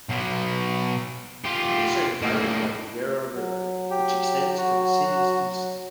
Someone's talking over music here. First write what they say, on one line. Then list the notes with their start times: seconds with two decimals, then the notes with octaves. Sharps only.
These are divided by the Yarra River, which extends to the city's east.
0.09 B2 F#3
1.44 F4 G4
2.22 A2 A#3
3.35 F#3
3.91 G4
4.58 F#4